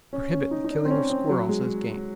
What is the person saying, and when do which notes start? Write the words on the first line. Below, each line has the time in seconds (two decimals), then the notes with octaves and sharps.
Prohibit the killing of squirrels as "game."
0.13 C#4
0.33 C#4
0.51 D#4
0.65 D#4
0.71 D4
0.85 C4
0.91 C#4
1.10 C4
1.29 F#3
1.49 G#3